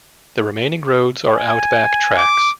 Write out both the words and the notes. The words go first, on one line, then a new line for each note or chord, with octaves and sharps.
The remaining roads are outback tracks.
G#5
D6